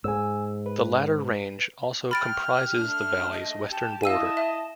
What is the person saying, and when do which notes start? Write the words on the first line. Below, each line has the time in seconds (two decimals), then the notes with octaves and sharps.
The latter range also comprises the valley's western border.
0.04 G#2 G#5 E6
0.66 B4
2.11 G4 B5 F6 A6 D7
2.79 A3 D4
3.32 D#5
3.72 G4 A5
4.03 E4 D#5 F5 E6 D#7
4.37 E5